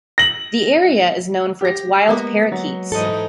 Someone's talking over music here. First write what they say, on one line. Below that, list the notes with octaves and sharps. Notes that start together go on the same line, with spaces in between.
The area is known for its wild parakeets.
A#6 F#7
G4 A#6
G#3 A#3 B3
F#3
G#2 E3 D#4 A4